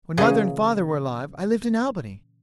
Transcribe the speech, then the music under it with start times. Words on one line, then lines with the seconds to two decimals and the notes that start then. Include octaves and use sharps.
When mother and father were alive I lived in Albany.
0.17 A#2 C#3 E3 G#4